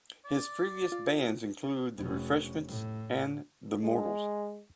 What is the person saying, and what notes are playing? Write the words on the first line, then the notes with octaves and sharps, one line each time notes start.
His previous bands include The Refreshments and the Mortals.
D5
F4
F1 C#4
A2
G#3